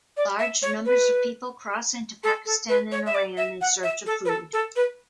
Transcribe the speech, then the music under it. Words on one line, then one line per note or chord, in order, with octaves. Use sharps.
Large numbers of people cross into Pakistan and Iran in search of food.
D5
E5
C#5
B4
A4
A4
B4
C#5
E5
D5
E5
F#5
E5
A4
B4
A4
A4
B4